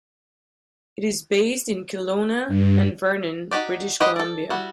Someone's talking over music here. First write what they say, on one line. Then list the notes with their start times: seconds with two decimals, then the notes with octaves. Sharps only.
It is based in Kelowna and Vernon, British Columbia.
2.48 G2
3.51 D#4 F#4 G4 D5
4.00 F#4 G4 B4 C5 D#5
4.16 A4 D5
4.50 G3 E4 F#4